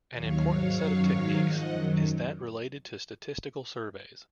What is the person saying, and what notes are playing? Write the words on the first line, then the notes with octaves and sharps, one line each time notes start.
An important set of techniques is that related to statistical surveys.
D#2 D#3 F#3 C#5 F5
G#2 F#3 C#5 F5
F#2 D#3 F#3
G#2 D#3 F#3 C#5 F5
G#2 F3 D#5 F#5
F#2 D#3 F#3